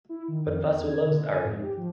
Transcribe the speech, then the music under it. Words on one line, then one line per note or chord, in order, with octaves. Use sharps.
But Vasu loves Arjun.
E4
D#3
F2
E2
G#6
D3
G#5
G#2
G4
F3